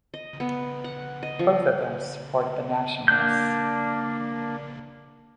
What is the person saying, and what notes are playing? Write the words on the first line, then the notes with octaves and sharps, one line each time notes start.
Both of them supported the Nationalists.
D#5
B3
F#5
D#5
F3
A#3 D4 F#6 G6